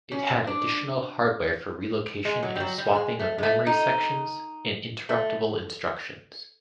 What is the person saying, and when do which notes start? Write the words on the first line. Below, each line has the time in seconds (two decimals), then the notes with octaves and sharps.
It had additional hardware for relocation and swapping of memory sections, and interruptible instructions.
0.12 C#4
0.47 D4
2.25 G#3
2.43 F#3
2.56 G3
2.60 F#3
2.78 G3
2.95 G#3
3.19 A3
3.38 G#3
3.43 A3
3.67 D#4
5.09 A3